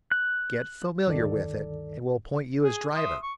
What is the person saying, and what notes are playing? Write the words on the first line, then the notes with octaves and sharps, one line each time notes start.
Get familiar with it and we'll appoint you as driver.
F#6
D2 G2 D#3 A4 D5
G#4
E5 C6 D#6
C#6